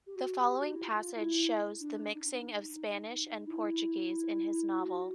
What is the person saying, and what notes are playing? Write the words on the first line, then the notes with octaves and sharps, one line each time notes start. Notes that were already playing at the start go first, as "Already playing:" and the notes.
The following passage shows the mixing of Spanish and Portuguese in his novel.
G4
F#4
G4
F#4
E4
F4
E4
D4
D#4
E4
F#4